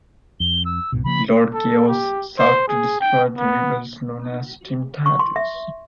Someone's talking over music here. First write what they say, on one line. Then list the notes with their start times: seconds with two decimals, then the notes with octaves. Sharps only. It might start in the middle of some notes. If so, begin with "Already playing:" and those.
Lord Chaos sought to destroy the rebels known as the Team Titans.
0.40 F2 G7
0.65 E6
0.92 C2 G#2 B2
1.04 C#3 F3 A#3 B5
1.54 A4
1.88 G4
2.39 C5
2.68 G#4
3.01 G5
3.38 B3
5.06 C#6
5.19 C6
5.36 E5